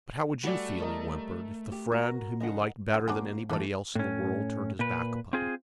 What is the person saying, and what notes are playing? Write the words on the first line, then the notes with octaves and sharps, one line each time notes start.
"But how would you feel," he whimpered, "if the friend whom you liked better than anybody else in the world, turned his back upon you?"
G3 A3 F#4 G#4 D5
A#4 D#5
G4
F#4 A#4
C#3 F3 D4 D#5 F#5
D3
A#3 D4 F#4 G#4 C5
D3 E3 A3 A4
A2 C#4
A#2 B4
C4 F4 G#4